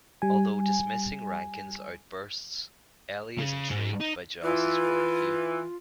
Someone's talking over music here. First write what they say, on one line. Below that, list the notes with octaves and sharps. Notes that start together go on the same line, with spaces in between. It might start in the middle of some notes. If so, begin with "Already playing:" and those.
Although dismissing Rankin's outbursts, Ellie is intrigued by Joss' worldview.
G3 G#5
C#3
G#2
D#4
E3 F4